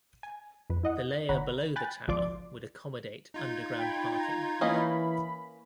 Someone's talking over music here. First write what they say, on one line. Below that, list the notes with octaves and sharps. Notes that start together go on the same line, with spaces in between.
The layer below the tower would accommodate underground parking.
G#5
F2 B4
E4 D#5 F#5
G1 D3 C#5 F#5 A#5 B5
G5 G#5 B5 F#6 A6
G#1 D2 F3 D5 C6 D6
D#4 F4 G#6
G5 B5
A#5
E3 A#3 C#4 D#5 B5